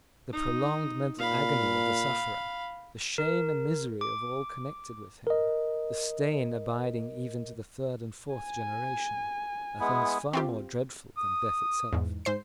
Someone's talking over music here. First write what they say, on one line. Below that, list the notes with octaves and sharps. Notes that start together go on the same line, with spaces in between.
The prolonged mental agony of the sufferer, the shame and misery of all connected with him, the stain abiding even to the third and fourth generation, are things far more dreadful than death itself.
D#4
A#2 F5 B5
A#4
D6
A#4 D#5
G#5
G#3 B3 E4
C4 F4 G4
D#6
E2 G#2
G#2 C5 C7